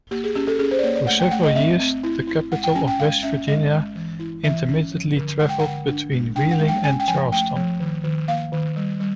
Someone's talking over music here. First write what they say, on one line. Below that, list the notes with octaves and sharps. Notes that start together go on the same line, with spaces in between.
For several years, the capital of West Virginia intermittently traveled between Wheeling and Charleston.
A#3 G4
G#4
C#4 G4
A4
C#4 G#4
C5
D5
A#3 C#5
D5
A3 F#5
G5
A3 F#5
D#5
C4 E5
C4
E4
E4
G#3 F#5
G5
C#4 G#5
G5
G#3 F5
C#4 E5
G#3 D#5
G#3
E3
E4
E3 E5
C#4
F3
D3
G#3 F#5
G5
D3 F#5
D4
G#3
D4 G5
F#5
G#3
G5
C#4 G#5
G5
F3 G#5
A3 G5
F3
D#3
D#3
A#3 F5
D#3
G3
G3